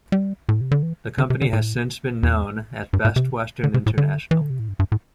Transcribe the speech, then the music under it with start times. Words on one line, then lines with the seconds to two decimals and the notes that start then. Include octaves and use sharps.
The company has since been known as Best Western International.
0.12 G3
0.49 A2
0.61 C3
0.71 D3
0.83 E3
1.18 D3
1.30 C3
1.42 D3
1.53 A2
2.23 E2
2.93 G2
3.05 A2
3.16 C3
3.64 D3
3.74 C3
3.86 A2
3.98 D3
4.31 E3
4.41 D3
4.50 C3
4.59 A2
4.69 G2
4.79 G2
4.92 A2